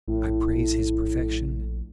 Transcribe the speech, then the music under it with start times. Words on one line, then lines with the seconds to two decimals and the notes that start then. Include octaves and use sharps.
I praise his perfection.
0.08 A#1 A2